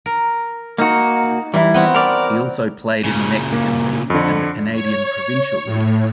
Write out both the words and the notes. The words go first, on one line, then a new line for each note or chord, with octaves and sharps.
He also played in the Mexican League, and the Canadian Provincial League.
A#4
A#3 D#4 F#4
E3 G3 E4
B3 C4 F#4
A#4 D5
A#2 C#3
A#3
F2 D3
C#5
A2